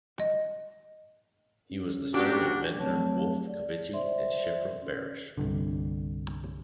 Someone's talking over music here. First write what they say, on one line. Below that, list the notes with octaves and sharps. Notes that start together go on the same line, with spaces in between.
He was the son of vintner Wolf Covici and Schifra Barish.
D#5
C#4
A#2 D4 F#4 G4
F#3 A3 C4 C#5 A5
D5
C5 D5 E5 C6
C#4
C2 G2 D3